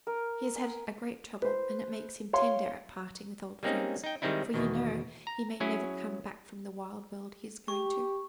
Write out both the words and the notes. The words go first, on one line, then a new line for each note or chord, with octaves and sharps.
He has had a great trouble, and it makes him tender at parting with old friends; for you know he may never come back from the wild world he is going to.'
A#4
G#5
B4 C5
C#5 F5 C6
G3 G#3 A#3 C4 C#4 D#4
D#4 G5
D#3 G3 G#3 C4 D#4 E4
E2 B2 D#3
A#5
F#3 C#4 E4 G#4
G4 C#6